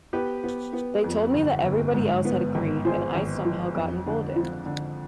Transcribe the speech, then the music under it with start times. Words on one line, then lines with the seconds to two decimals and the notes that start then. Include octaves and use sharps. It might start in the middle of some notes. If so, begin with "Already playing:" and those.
They told me that everybody else had agreed and I somehow got emboldened.
0.13 B3 G4 B4
0.44 B3
0.73 B3
1.04 F2
1.34 G1
1.64 G1
1.95 G#2
2.25 B3
2.55 G#1
2.85 F3 G#4 C5
3.15 G#1
3.45 F3
3.75 F2
4.06 D3
4.36 F3
4.66 D3